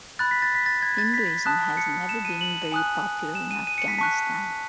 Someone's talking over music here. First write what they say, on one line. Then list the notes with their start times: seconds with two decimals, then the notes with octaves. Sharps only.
Hinduism has never been very popular in Afghanistan.
0.19 B5 F#6 A6
0.31 B6
0.42 A6
0.55 B6
0.66 A6
0.82 G#6
0.98 A6
1.14 B6
1.46 A5 D#6 F#6
1.77 C#7
2.09 E7
2.25 D#7
2.41 F#7
2.72 G#5 D#6 F#6
3.35 E7
3.51 D#7
3.67 D#7
3.78 C#7
3.88 B6
3.98 A5 C#6 F#6 B6